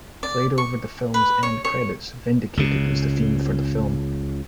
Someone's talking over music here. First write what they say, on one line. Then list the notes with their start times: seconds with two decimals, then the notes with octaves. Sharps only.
Played over the film's end credits, "Vindicated" is the theme for the film.
0.23 D5
0.58 C#6
1.14 B4
1.43 C#5
1.65 C#5
2.57 C#2 C#3